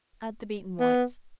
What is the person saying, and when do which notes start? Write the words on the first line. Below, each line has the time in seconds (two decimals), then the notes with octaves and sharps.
Add the beaten whites.
0.80 B3